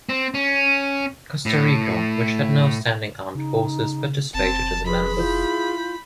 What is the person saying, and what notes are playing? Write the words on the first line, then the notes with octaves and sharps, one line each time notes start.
Costa Rica, which had no standing armed forces, participated as a member.
C4
C#4
A2
C#3 D#4
F1 C4 A5
G#4 B4 B5 C6
E4 F4 G6